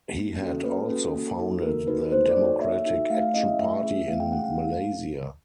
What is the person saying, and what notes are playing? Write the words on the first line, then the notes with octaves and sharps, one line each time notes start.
He had also founded the Democratic Action Party in Malaysia.
A#3
C#4 F#4 A4
A#3 B4
C#4 F#4 A4
A#3
D#4 F#4 A4
A#3 A#4
D#4 F#4 A4 B4
A#3 C5
D5
D#4 F#4 A4
C#5
A#3 E5
D#4 F#4 A4 E5
A3 F5
F5
C#4 E4 G#4 D#5
E5
A3 E5
C#4 E4 G#4 E5
A3 F5
G5
C#4 E4 G#4 F#5
F5
A3 F5